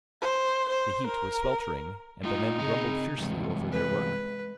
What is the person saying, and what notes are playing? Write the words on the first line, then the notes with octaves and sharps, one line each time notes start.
The heat was sweltering, and the men grumbled fiercely over their work.
C5
C5
A#4
A2 D#4 F4
C#3 C4 D#5
E2 G2 C3 G#3
B4